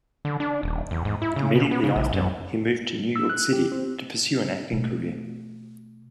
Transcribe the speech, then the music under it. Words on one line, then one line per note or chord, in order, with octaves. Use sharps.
Immediately after, he moved to New York City to pursue an acting career.
D3
D4
D#1
E2
G#2
E4
C#3
B2
B3
C#3
A#1
F#2
E6
F#6
G4
C4
B2 A3